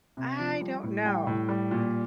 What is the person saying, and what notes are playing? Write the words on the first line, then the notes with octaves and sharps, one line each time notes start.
I don't know.
C3
F3
G3
A2
G3 G5
A2
G3
A#2